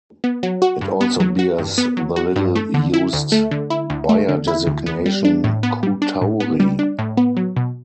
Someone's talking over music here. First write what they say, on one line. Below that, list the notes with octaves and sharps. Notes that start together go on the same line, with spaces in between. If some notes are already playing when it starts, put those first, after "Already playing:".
It also bears the little-used Bayer designation "q Tauri".
B3
F#3
F#4
G2
B3
F#3
F#4
G2
B3
F#3
F#4
G2
A3
D3
E4
D2
A3
D3
E4
D2
A3
D3
E4
D2
B3
G3
D4
A2
B3
G3
D4
A2
B3
G3
D4
A2
B3
F#3
B2